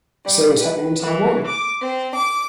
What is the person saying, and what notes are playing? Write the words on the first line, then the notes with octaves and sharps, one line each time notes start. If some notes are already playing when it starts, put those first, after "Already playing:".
The same was happening in Taiwan.
G3
B4
E3
D6
C4
D6